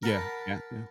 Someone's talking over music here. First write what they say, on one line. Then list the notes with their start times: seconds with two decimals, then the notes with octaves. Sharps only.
Yeah, yeah, yeah.
0.03 A#4 F#5 A5 B5